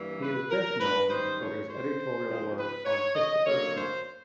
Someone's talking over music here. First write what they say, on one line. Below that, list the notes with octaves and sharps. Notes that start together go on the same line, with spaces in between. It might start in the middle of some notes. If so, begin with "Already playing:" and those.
He is best known for his editorial work on Christopher Smart.
Already playing: G2 E3 G3 A#3
B4
A#4
B4
F#2 D#3 G3 C5
C#5
C5
C#3 F3 G#3 C4
B4
C#5
D#5
D3 F#3 A#3 C#5
C5